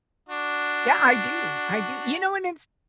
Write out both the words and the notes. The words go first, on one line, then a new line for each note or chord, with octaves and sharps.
Yeah, I do, I do. You know, and it's
D4 F#4